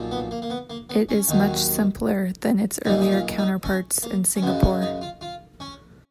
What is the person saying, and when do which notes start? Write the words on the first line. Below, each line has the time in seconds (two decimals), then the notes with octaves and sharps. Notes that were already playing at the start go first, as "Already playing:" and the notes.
It is much simpler than its earlier counterparts in Singapore.
Already playing: B1 A#2 F3
0.11 B3
0.31 A#3
0.42 A#3
0.50 B3
0.70 A#3
0.90 B3
1.09 C#4
1.28 D#2 D#3 F#3
2.85 B1 A#2 G#3 D#4
3.01 D#4
3.12 F4
3.38 D#4
3.64 C#4
4.03 A#3
4.36 C#4
4.42 F#2 C#3 G#3 B3
4.62 C#4
4.82 D#4
5.01 F4
5.21 F4
5.60 C#4